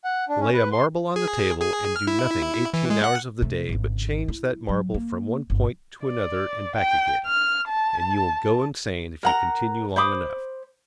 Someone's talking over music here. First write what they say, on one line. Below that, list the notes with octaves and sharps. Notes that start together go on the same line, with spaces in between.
Lay a marble on the table and do nothing eighteen hours of the day but change that marble from one point to another and back again, and you will go insane if you continue long enough.
F#5
D4
C#4
B4
C6
G#4
G#4
F6
E4
E3
G#3
F#5
C3 A3
G#1 C#3
E4
F#3
A#3
G1 C4
D5
G5
F6
A5
A#4 F#5 A#5
C5 B5 D6 D#6